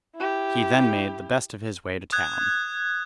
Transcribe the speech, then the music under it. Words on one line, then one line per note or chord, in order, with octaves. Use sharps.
He then made the best of his way to town.
E4 G4
D#6 F#6 G#6